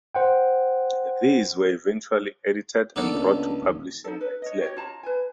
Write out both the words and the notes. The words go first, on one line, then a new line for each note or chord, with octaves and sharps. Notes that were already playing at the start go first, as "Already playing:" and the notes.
These were eventually edited and brought to publishing by Claire.
C5 F#5 G5
D#3 A#3 B3 D4 A4
C#2
D#1
D#4 A4
B4
C#5 D#5
F#4 G4 C#5
F4 A5 A#5
B4 G#5